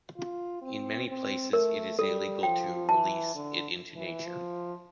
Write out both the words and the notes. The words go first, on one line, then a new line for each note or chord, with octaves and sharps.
In many places it is illegal to release it into nature.
F4
C4
C4
A3 A#4
G3 A4
F3 G5
E3 A5
D3
E3
F3